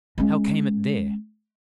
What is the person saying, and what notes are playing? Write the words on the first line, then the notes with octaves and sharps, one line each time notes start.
"How came it there?"
G#3 C#4